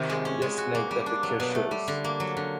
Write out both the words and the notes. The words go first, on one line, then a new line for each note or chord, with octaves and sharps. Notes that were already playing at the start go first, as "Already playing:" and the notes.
Just like the picture shows.
Already playing: C3 D#3 C4 F4
G#3
C#4
G#3
F#4
A#3
G3
D4
F#3
B2
A3
G3
D3
A#3
F#3
D3